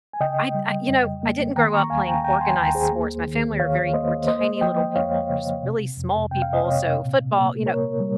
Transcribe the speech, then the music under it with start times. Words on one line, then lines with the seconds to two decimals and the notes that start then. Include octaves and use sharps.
I I, you know, I didn't grow up playing organized sports. My family are very we're tiny little people, we're just really small people. So football you know,
0.13 G#5
0.20 C#3 D#5 G5
0.54 G3
0.89 F2
1.23 A#3
1.56 D#3 G5 A#5
1.73 A#5 C#6
1.90 D#2 F5 G#5
2.07 G5 A#5
2.24 D#2 G5 A#5
2.41 G#5 C6
2.58 D#2 G5 A#5
2.75 G#4 C5
2.92 A#3
3.27 D#3
3.60 D#3 C#5 F5
3.93 A#3 C5 D#5
4.27 A#3 C5 D#5
4.61 F3 D#5 G5
4.95 F2 C#5 F5
5.29 C#3
5.64 C3
5.97 F2
6.31 C3 G5
6.42 F5
6.53 D#5
6.64 C3 C#5 F5
6.99 A#2
7.32 A#3
7.66 A#3 A#4 C#5
8.00 G3